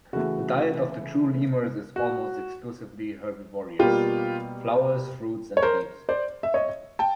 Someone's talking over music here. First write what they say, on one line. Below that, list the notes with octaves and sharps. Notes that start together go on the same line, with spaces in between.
The diet of the true lemurs is almost exclusively herbivorous: flowers, fruits and leaves.
C#3 E3 A3 F#4
F#4
B2 G3 A#3 F4 G4
C#5
A#4 C5
C5 D5
E5
C#5 D#5
G5 A5